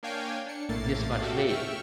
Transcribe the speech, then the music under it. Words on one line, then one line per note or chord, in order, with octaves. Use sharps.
this much later.
A#3 D4 C#5 F5 G5 G#5
D4 C#7
A#1 A2 A3 A#3 A6 C7
F#4 G4 A4 E5 F5 G5
E5 G5 C#6 E6 F6